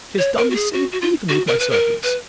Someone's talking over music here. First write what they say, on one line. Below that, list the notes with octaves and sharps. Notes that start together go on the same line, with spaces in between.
She has done the same even with my servants.
C#5
A#4
F#4
G#4
F#4
F#4
F4
F#4
A#4
B4
A#4
B4